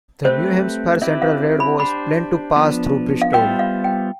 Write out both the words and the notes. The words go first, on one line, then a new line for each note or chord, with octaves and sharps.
The New Hampshire Central Railroad was planned to pass through Bristol.
A3 C4 G4 B4 C5
C4 E4 G4 B4 E5
F5
B5
D4 G4 C5 B5
F3 B3 D4
F5
G3 B3 F4 C5 E5 G5
F5
G5